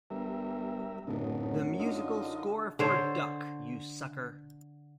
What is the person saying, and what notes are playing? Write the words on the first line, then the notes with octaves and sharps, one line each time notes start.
The musical score for Duck, You Sucker!
G1 G3 A#4 E5
D1 F#2 A2 D3 D#4
D3 D#4 F4 D#5
D3 C5 C#5